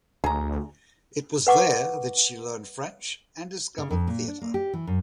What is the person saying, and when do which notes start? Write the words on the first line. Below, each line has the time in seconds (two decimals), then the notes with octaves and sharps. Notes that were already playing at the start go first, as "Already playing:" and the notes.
It was there that she learned French and discovered theater.
0.24 D2 G#4 A#5
1.47 B4 F#5 C#6 D6
3.78 C#3
3.91 F2
4.07 A#2
4.28 D4
4.42 A#3
4.54 G4
4.73 E3
4.87 F#2